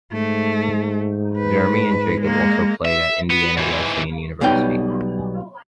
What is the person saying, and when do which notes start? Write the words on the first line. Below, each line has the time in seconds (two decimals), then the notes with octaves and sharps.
Jeremy and Jacob also played at Indiana Wesleyan University.
0.12 G#2 A3
1.38 B4
2.22 G#3 A#3
2.85 E5
3.30 B3
3.57 G#2 E3
4.41 B1 B2 G3 D#4 G5